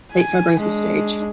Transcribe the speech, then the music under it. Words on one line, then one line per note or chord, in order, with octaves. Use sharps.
Late fibrosis stage.
G#5
G#3 D4